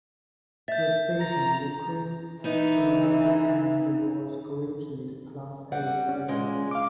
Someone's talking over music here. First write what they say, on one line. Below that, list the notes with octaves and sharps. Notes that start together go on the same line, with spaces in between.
The station requested and was granted Class A status.
E5 G6 A6
A#5 A#6
E3 B3 D#4
G3 F#5
C#4
A#2 G#3
F5 D6